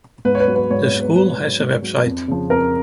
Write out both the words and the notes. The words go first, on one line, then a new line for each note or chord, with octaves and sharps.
The School has a website.
G#2 B4
C#5
B4
F#3
B4
G#2 C#5
C#5
F#3
B4
G#2 B4
F#3
G#2
F#3
F2
C#3 F3
F2 A#4